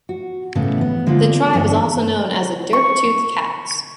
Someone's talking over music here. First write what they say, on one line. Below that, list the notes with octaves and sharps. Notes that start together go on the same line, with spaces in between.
The tribe is also known as the "dirk-toothed cats".
F#4
A2 C#3 E3 B3 A4 B4
B3
D3 G#3 A#3 C4 D4 F4
E2 G2 D3 B3 D4 D#4
C#6